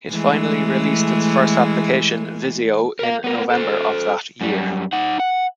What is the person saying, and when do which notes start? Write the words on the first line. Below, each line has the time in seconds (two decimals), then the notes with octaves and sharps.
It finally released its first application, Visio, in November of that year.
0.11 E3 G#3 A3
2.99 A#4 F5
3.24 B3 A#4
3.50 A4 C5
4.41 F#2 G3
4.93 D#4 F#5
5.20 F#5